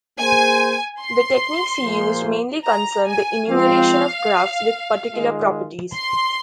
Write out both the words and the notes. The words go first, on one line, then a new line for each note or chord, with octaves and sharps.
The techniques he used mainly concern the enumeration of graphs with particular properties.
A#3 G#4 C5 G#5
C6
A#2 F3 A#3 G#4 C5
A#5
G#5
F3 G#3 C4 F4 F5
D#3 G#3 F4
C6